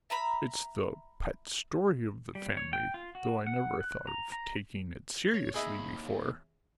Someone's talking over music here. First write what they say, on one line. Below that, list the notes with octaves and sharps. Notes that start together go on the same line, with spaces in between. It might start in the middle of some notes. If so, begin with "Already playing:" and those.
It's the pet story of the family, though I never thought of taking it seriously before.
E5 A#5 B5
G3
C#5
G5
F4
F#4
F#5
F#6
A#5
A#5
C#5
D#2 G#4 D#5 E5 B5